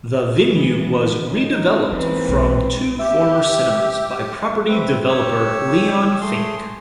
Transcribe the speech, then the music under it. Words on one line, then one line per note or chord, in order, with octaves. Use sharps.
The venue was redeveloped, from two former cinemas, by property developer Leon Fink.
E3 B3
C#4 D#4
E3 G#3 A#3 C4 D#4 B4
B1
G4 E5
C4 B4 E5
G4 C#5 E6
A3 G#4 C6